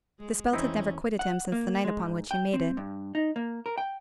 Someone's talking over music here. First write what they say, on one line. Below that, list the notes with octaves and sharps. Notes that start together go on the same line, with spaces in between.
This belt had never quitted him since the night upon which he made it.
G#3
F2 D#3 E3 C4 C#4 D#4 E4
F#5
A#3
G#3
G#2
G5
C4
G2
D#4
A#3
A#4
G5